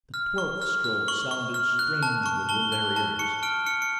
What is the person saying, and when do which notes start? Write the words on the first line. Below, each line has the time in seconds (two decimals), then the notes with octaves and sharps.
The twelfth stroke sounded strangely in their ears.
0.14 F6
0.38 C#6
0.62 F6
0.84 F6
1.08 C#6 F#7
1.31 C#6
1.54 F6
1.79 F#6
2.03 A5
2.26 C#6
2.49 A5 G7
2.72 F#6 G7
2.96 A5
3.19 C#6 C#7
3.43 F6 D7
3.66 F6 C#7
3.82 C#7